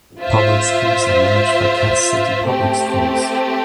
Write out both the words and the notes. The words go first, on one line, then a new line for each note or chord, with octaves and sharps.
Public schools are managed by Cass City Public Schools.
F4 C5 E5
A3 C4 G4